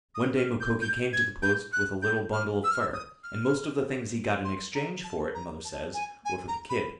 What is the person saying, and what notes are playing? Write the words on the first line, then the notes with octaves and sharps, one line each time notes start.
One day Mukoki came to the Post with a little bundle of fur, and most of the things he got in exchange for it, mother says, were for the kid.
D#6
F6
G6
G6
G#6
G6
F#6
G6
F6
E6
F6
E6
D#6
F6
C6
A#5
A5
A#5
A5
G#5
G#5
A#5
B5